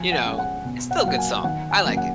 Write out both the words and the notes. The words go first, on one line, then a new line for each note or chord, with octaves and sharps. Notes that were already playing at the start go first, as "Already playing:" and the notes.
you know, it's still a good song. I like it.
Already playing: F3 G#5
F#5
G#3 C#4
F#5
B2
F#5
F5
F#3 A#3 F#5
G#5
D#3 F#5
G#5
F#3 A#3 C#4
F#5